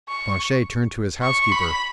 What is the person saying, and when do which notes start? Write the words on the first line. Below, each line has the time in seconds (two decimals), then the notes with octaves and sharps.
Planchet turned to his housekeeper.
0.09 C#6
1.23 C#6
1.52 B5